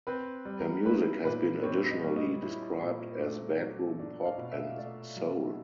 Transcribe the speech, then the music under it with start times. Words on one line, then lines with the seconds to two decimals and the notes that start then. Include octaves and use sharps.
Her music has been additionally described as bedroom pop and soul.
0.07 C4 B4
0.45 G3
0.59 A#4
0.85 E4 B4
1.24 A#2 B4
1.63 C4 C#5
1.90 D#5
2.03 G3
2.16 D#5
2.43 E4
2.81 A#2
3.21 A3
3.59 F#3
3.99 D4
4.26 F5
4.38 B2
4.52 E5
4.77 A3 D5
5.16 F#3